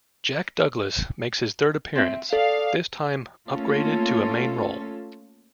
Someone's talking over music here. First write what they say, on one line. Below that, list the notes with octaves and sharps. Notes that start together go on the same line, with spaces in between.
Jack Douglas makes his third appearance, this time upgraded to a main role.
C4 E5
A4 D5 F5
A3 A#3 C#4 F4 A4